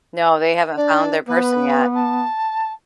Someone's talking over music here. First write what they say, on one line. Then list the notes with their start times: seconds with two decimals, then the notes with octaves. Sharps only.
No, they haven't found their person yet.
0.77 D4 D5
1.28 B3 B4
1.95 A5